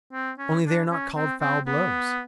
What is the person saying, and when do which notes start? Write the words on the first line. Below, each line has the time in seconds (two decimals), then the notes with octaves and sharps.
Only they are not called foul blows.
0.13 C4
0.39 C#4
0.65 D4
0.90 C#4
1.16 C4
1.41 C4
1.67 B3